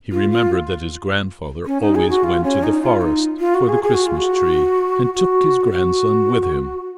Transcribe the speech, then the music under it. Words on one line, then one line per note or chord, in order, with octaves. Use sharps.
He remembered that his grandfather always went to the forest for the Christmas tree, and took his grandson with him.
F4
F4
C#4
D#4
G#4
F#4
F4
C#4
D#4
F4
D#4
F4
F#4
G#4
G#4
F#4
F4
F#4
F#4
F#4